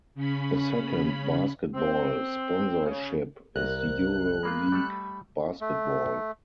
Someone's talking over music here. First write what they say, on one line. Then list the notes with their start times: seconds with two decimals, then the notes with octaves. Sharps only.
A second basketball sponsorship is Euroleague Basketball.
0.15 C#3 C#4 B5
1.74 C4
2.84 C#3
3.56 C2 A#4 A#5 F#6
4.43 G#3 A#3 F4 B5
4.72 G3 A3 A4
5.61 A3